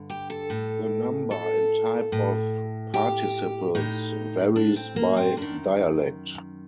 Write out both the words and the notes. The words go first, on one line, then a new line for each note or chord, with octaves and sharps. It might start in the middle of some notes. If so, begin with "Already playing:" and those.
The number and type of participles varies by dialect.
Already playing: G2 D3
G4
A4
A2
A4
A2
G4
A2 D#4
D4
C4
A#3
C4
F#2 D#3 D4